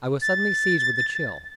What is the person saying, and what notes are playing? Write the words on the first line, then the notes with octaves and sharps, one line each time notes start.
I was suddenly seized with a chill.
A6